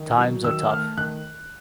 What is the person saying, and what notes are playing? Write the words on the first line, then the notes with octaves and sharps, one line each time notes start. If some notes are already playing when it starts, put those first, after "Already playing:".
Times are tough.
Already playing: D#3
F#3
D#3 E6
A3 F6
D#3 F#6